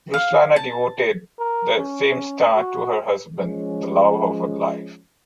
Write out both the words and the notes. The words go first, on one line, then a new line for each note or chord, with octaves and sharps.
Ruslana devoted "The Same Star" to her husband, the love of her life.
F5
A5
A#4
C#4
F#4
F3 G#3 C#4